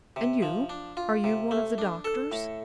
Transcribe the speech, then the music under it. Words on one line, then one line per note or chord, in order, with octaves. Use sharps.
"And you, are you one of the doctors?"
C3
F3
D4
F4
C3
A3
D4
A4
A2